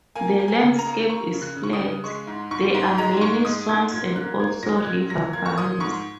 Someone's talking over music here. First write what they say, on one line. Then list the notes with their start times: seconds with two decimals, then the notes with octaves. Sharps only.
The landscape is flat, there are many swamps and also river valleys.
0.15 A#3 G#5
0.40 A#3
0.48 G#5
0.63 C#3
0.79 A#5
0.87 A#3
1.10 A#3 C#6
1.34 C#3
1.42 F#6
1.57 C#3
1.63 C#6
1.73 D#6
1.80 C#3
2.04 G#3 C#6
2.27 G#2
2.51 G#2 C#6
2.74 G#2
2.98 G#3 A#5
3.21 G#2 C#6
3.45 G#3 D#6
3.69 G#2 G#6
3.92 A#2 G#6
4.15 A#3 F#6
4.40 A#3 G#6
4.63 A#2 A#6
4.78 F#6
4.86 A#2 G#6
5.10 F#3 A#6
5.33 A#3 G#6
5.46 C#6
5.58 A#2 D#6
5.80 G#2 C#6